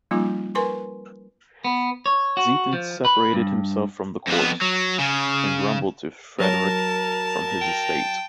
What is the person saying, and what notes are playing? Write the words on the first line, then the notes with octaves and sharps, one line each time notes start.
Zieten separated himself from the court, and grumbled to Frederick from his estate.
F3 G3 A#3 C#4 D#4 F4
A#4 B4 G#5 C6 C#6
B3
C#5
F#4
F3
B4
G2
F2 B3
F#3
C#3
F#3 A#4 A5
G5